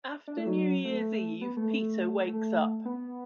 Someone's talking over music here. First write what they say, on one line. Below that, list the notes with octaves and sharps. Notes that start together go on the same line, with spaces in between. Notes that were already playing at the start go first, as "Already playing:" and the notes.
After New Year's Eve, Peter wakes up.
D4
A3
F#3
A3
B3
A3
A3
A3
B3